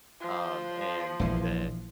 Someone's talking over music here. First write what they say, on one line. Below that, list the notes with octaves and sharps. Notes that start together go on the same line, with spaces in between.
um, and the
F3
A#1 E3